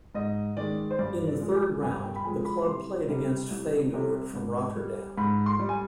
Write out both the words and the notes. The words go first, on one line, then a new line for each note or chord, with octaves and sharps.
In the third round, the club played against Feyenoord from Rotterdam.
G#2 D#5
D#3 G#3 D5
C5
G2 D5
D5
F3 G#3
G#5
G2 G#5
G5
B5
F3 G#3 G#5
B5
C2 C6
C3 G3
C2
C3 G3
G#2
G3
G#2 B5
C6
G3
G#5